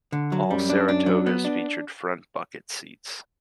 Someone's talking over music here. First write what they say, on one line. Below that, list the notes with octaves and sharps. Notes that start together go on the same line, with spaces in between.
All Saratogas featured front bucket seats.
D3
F#3
F#2 G3
D4
D4
F#3
B3
D4